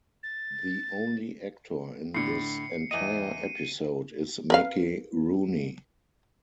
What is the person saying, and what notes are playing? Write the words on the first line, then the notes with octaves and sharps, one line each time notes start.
The only actor in this entire episode is Mickey Rooney.
A6
A2 D3 C7 C#7
E2 E4 D#5 D#7
A#4 B4 F5